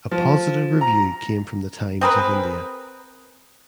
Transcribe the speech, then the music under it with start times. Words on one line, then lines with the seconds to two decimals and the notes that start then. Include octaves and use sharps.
A positive review came from the "Times of India".
0.11 F3
0.81 A#5
2.01 C4 G#4 A#4 B4